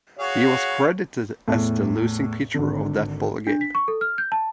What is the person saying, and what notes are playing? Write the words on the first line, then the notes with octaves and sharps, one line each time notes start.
He was credited as the losing pitcher of that ballgame.
F#4 G#4 C#5 F5
E2 A2 A5
G#1 D3
D4
B6
C#6
A4
F6
G6
A5